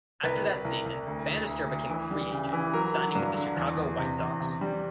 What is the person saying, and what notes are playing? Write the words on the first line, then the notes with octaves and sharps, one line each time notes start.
After that season, Bannister became a free agent, signing with the Chicago White Sox.
C2 B4
C2
C2
C2
D2
D2
D2
D2
E3
G3
C#3
E3
F#3 A#4
F#3
G2
D3
E2
E2
C3
E2
C3
G3